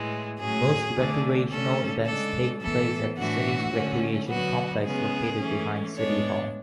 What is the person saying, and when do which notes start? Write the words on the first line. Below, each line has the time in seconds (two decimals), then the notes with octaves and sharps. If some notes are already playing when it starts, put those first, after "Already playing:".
Most recreational events take place at the city's recreation complex located behind City Hall.
Already playing: A2 E3 G#3
0.39 A2 F#3 C#4 G#4
0.95 D3 A3 D4
1.50 D3 A3 C#4 A4
2.06 C#3 G#3 D4 A4
2.62 A2 E3 B3 A4
3.18 A2 E3 A3 D4 F#4
3.72 D3 A3 C#4
4.29 D3 F#3 B3 F#4
4.84 C#3 G#3 B3 G#4
5.40 E3 A3 C#4
5.96 A2 G#3 B3 D4 C#5